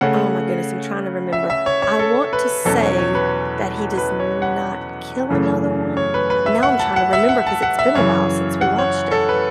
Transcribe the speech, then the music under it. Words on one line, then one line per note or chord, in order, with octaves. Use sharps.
Oh my goodness, I'm trying to remember. I want to say that he does not kill another one. Now I'm trying to remember, 'cause it's been a while since we watched it.
C#3 A3 C#4 F#5
E5
E5
C#5
C#5
A4
B4
E2 B2 F#3 C#4 A4
C#5
C#5
B4
B4
C#5
F#5
F#2 C#3 E3 A3
C#5
B4
B4
E5
F#5
A5
F#5
E5
F#5
A5
F#5
E5
F#2 C#3 E3 C#5
F#5
C#5
A4
B4